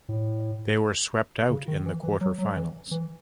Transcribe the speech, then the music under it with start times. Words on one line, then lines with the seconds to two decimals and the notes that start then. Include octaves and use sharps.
They were swept out in the quarterfinals.
0.09 A2
1.50 C#3
1.68 D#3
1.86 E3
2.03 E3
2.21 F#3
2.38 F#3
2.56 E3
2.91 E3